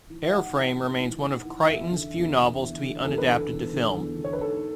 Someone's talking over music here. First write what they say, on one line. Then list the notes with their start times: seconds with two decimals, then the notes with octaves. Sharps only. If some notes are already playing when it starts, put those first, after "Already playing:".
"Airframe" remains one of Crichton's few novels to be unadapted to film.
0.10 E3
0.25 E5
0.32 G#2 F#5
0.54 E3
0.77 G#2
1.00 E3
1.23 G#2
1.45 E3
1.68 E2 E5
1.91 D3
2.14 E2
2.37 D3
2.59 E2
2.83 D3
3.04 E2 A4
3.18 B4
3.28 D3 A4
3.50 E2
3.73 D3
3.96 E2
4.18 D3
4.24 C#5
4.33 B4
4.41 G#2 A4